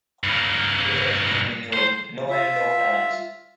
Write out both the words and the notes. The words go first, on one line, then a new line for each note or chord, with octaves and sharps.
It has been renewed no end of times.
G2 A#3
C5
F4 E5